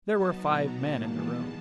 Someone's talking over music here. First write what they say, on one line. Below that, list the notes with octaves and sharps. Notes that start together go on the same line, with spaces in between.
There were five men in the room.
F#3 B3 D#4 A5
B2 F#3 B3 A#5
D#3 G3 A#3 A5
E3 G#3 B3 A5